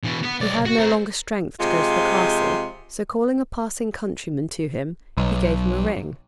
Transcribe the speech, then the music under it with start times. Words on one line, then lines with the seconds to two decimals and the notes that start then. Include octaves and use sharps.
He had no longer strength to go to the castle, so calling a passing countryman to him, he gave him a ring.
0.04 B2 E3
0.23 B3
0.41 B1 D5
0.66 F#4
0.80 C4 A#4
1.60 C3 F3 G#3 F4
5.17 B1